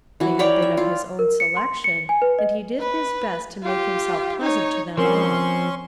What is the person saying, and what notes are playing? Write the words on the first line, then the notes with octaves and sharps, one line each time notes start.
They had been of his own selection, and he did his best to make himself pleasant to them all.
E3 F#4
A#4 C#5 D5 G5
E5
F4
A#4
C#7
C6
C#7
G#5
B4
D#5
B4
F4 G4
D#4 C#5
F3 C4 C#4 A#4 C6 C#6